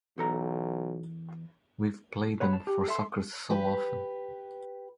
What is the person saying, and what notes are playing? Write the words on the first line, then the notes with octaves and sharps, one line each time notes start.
We've played 'em for suckers so often.
B1 E2 A4 A#5
B4 C#5 F#5 B5
A5
G4
A4 E5 A5 C6
G4 B4